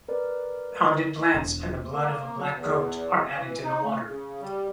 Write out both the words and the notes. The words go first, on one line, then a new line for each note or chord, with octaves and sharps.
Pounded plants and the blood of a black goat are added to the water.
A#4 B4 D5
E1
A#3
F#3
E2
E3
D#4
A3
C#3
G3